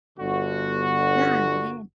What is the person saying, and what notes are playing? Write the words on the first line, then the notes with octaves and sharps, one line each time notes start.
Yeah, it is.
G1 D3 F#4